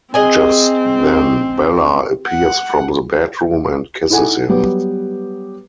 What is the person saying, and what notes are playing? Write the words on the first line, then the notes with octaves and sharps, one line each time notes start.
Just then, Bella appears from the bedroom and kisses him.
C4 G#4 D#5 G#5
F#5
D#4 E4 A4 F#5 G#5
F#3 G3 B3 G4 B4